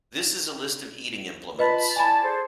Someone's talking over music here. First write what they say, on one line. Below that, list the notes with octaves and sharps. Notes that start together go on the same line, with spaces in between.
This is a list of eating implements.
F4 B4 D#5 A5 B5
E4 D5 G#5 A5 B5
G#4 A4 C5